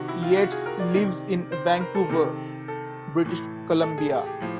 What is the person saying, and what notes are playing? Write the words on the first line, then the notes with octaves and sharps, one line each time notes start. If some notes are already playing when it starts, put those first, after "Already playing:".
Yates lives in Vancouver, British Columbia.
Already playing: C3 D#3 F#4 G4
E4
F4
F#4
G#4
A#4
D5
C3 D#3 D5
C5
B4
A#4
A4
C3 D#3 A4
A4
A2 E3
A4
G#4
G4
G4
A2 F3